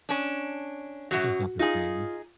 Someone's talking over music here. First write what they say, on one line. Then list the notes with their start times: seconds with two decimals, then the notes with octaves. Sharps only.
It's just not the same.
0.09 C#4 D4
1.11 F#2 F#3 F#4
1.59 D#4 F4 G#4